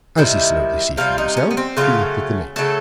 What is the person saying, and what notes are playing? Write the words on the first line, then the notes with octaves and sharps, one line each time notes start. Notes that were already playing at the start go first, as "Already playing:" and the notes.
As he slowly seated himself, he looked at the lady.
C3 D#3 G3 E4
C3 D#3 G3 F4
D#4
C#4
B3
C4
C#3 F#3 A3 F4
C#3 F#3 A3 A4